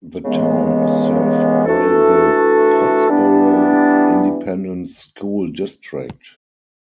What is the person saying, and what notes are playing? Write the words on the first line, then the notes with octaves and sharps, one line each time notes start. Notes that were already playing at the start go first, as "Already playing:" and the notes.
The town is served by the Pottsboro Independent School District.
D#2 C#3 E3 G#3 B3
E3 A3 D4 F#4 A4
E3 G3 B3 D4